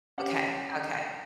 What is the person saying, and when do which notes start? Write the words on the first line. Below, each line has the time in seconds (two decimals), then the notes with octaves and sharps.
Okay, okay.
0.18 C#4 G4 F#5